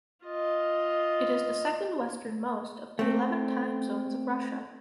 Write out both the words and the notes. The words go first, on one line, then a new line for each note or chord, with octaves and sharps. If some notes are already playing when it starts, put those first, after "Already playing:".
It is the second-westernmost of the eleven time zones of Russia.
F4 D#5
A3 C4